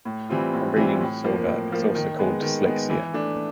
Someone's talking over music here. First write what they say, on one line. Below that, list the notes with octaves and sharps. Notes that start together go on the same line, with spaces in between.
Reading disorder is also called dyslexia.
A2
E3 G3 C4 F4
A2
E3 G3 C4 F4
A2
F3 A#3
A2
F3 A#3
D#3
G#3 B3
D#3
G#3 B3
E3
A3 D4